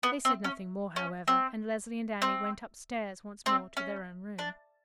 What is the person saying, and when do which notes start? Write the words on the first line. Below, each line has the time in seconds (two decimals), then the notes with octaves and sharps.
They said nothing more, however; and Leslie and Annie went upstairs once more to their own room.
0.03 B3
0.25 C4
0.44 C#4
0.96 C#4
1.28 C4
2.22 C4
3.46 C4
3.77 C#4
4.39 D4